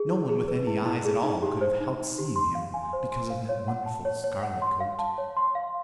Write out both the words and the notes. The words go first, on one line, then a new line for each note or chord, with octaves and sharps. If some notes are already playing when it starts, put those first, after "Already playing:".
No one with any eyes at all could have helped seeing him, because of that wonderful scarlet coat.
Already playing: G#4
E4
G#4
B4
E4
E4
G#4
D#4
G4
C5
D#4
D#4
G4
C6
F5
G#5
C5
C6
F5
C#5
F#5
A5
C#5
C#5
F#5
C6
F5
A5
C#5
C6
F5